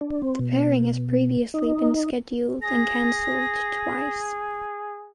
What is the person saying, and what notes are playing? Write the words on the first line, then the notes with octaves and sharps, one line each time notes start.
The pairing has previously been scheduled and cancelled twice.
D4
C4
B2
D#4
G#4 A#6